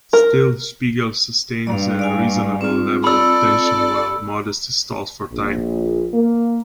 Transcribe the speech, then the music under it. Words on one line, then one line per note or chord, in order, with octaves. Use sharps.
Still, Spiegel sustains a reasonable level of tension while Modesty stalls for time.
A#4
G2 D5 F5
D5 F5 G#5
C4 F4
A4 D5 B5 E6
A#1
A#3